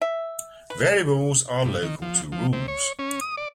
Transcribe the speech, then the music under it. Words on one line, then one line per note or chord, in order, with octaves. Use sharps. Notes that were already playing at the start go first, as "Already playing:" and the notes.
Variables are local to rules.
E5
B4
G2
D#3
F3
F3
C3
C#5
C#4
D#6
D5